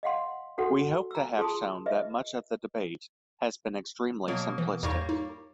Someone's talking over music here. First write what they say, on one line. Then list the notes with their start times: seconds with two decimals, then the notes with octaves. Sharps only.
We hope to have shown that much of the debate has been extremely simplistic.
0.03 D#5 F5 F#5 C6
0.58 D4 F#4 A4 B4 F#5 C6
1.11 A#5 E6
1.37 F4 G#4 A5 C6 D#6
1.86 B4 D#5 E5
4.28 B2 F#3 A#3
4.58 E3
4.83 E2 G#2 G3 A#3 C#5 C#6
5.09 D#4